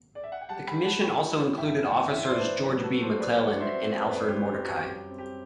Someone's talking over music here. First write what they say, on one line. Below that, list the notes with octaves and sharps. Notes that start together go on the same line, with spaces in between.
The commission also included officers George B. McClellan and Alfred Mordecai.
D5
E5
F#5
G5
G3 F#5 A5
G5 B5
G3
F#5 A5
E3 G5 B5
E3
G2 E5 G5
E3 D5 F#5
E3 E5 G5
C5
B4 D5
D4
F#3 G4 B4
F#4 A4
F#3
A4 C5
F#3 B4 D5
D5 F#5
F#3 D5 F#5
C5 E5
C4
F#2 B4 D5
F#2 G4 B4
G4
F#2
F#4
G3 G4
C4
G4